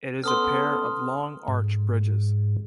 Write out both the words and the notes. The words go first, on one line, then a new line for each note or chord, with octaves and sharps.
It is a pair of long arch bridges.
B3 C#4 A4 C6 D#6 F6
G#2